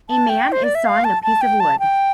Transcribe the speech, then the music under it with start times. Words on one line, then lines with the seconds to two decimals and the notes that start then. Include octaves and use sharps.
A man is sawing a piece of wood.
0.10 A5
0.29 G5
0.52 C5
0.64 D5
0.75 E5
0.86 F5
1.04 A5
1.23 A5
1.41 G5
1.60 A5
1.79 G5